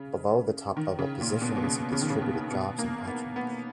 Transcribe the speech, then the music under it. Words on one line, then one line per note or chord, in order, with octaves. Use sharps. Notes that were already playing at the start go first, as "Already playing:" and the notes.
Below the top-level positions, he distributed jobs as patronage.
Already playing: C#3
D#3
C#3
A#2
B2
B2
C#3
C#3
D#3
C#3
B2
B2
A#3
B3
B3